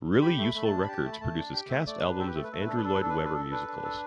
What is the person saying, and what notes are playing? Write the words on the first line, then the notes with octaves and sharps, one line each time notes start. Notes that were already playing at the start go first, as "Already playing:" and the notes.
Really Useful Records produces cast albums of Andrew Lloyd Webber musicals.
G4 B5
A3
B5
A3
A5
D4
B5
G4 A5
A3
B5
A3 A5
D4
G4 G5
A3 E5
A3 D5
D4 B4
G4 A4
B4
A3 A4
B4
A3 A4
B4
D4 A4
B4
D4 A4
B4
D4 A4
B4
A4
B4
A4
D4 B4
D4
A4